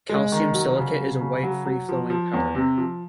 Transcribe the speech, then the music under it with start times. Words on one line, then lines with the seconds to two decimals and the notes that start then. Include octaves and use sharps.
Calcium silicate is a white free-flowing powder.
0.09 G#3
0.32 D#3
0.54 F#3
0.76 C#3
0.99 F#3
1.21 C#3
1.43 F#3
1.65 F#3
1.89 F3
2.10 F3
2.33 E2
2.55 C3
2.78 F3